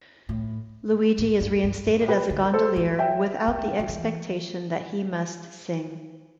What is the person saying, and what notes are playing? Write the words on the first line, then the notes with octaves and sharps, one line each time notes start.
Luigi is reinstated as a gondolier, without the expectation that he must sing.
A2
A2
G2
G2
A2
G2
A2
B2 G4 B4
D3
A4 C5
F#3
E3
F#3 E5 G5
B3
A3
G3
F#3
E3